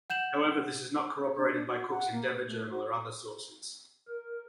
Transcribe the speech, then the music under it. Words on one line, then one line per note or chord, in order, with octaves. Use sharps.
However this is not corroborated by Cook's "Endeavour" journal or other sources.
F#5 G6 E7 F#7
D4
D4
F#4
F#5
A#3
B4
A3
F#4
A#4